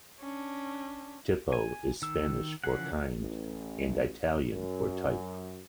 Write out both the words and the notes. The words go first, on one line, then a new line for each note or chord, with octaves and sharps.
"Tipo" is Spanish for "kind", and Italian for "type".
C#4 D4
G#5
D#3 E6
C#3 E3 F3 G#4 F#5
A1
F#2